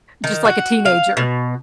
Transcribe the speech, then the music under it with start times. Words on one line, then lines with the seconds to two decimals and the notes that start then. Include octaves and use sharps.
Just like a teenager.
0.24 D#3
0.45 F#4
0.86 F5
1.17 B2